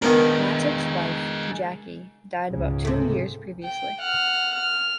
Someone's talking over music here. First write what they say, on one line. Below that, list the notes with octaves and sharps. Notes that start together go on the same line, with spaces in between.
Mattick's wife Jackie died about two years previously.
D#3 G#3 B3 D4 A#4
C#2 G#2 C#3
C3 A3
G5
F#5 F6
F6